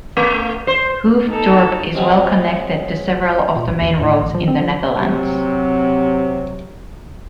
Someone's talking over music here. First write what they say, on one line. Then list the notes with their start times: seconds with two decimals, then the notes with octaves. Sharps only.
Hoofddorp is well connected to several of the main roads in the Netherlands.
0.17 A3
0.67 C5
1.28 D#4 A4
1.95 F3 F#3 G#3 C4
3.56 A#2
3.68 A1
3.82 D#2
4.01 A2
4.21 A1
4.34 F3
4.48 C4
4.60 F3
4.99 C3 F#3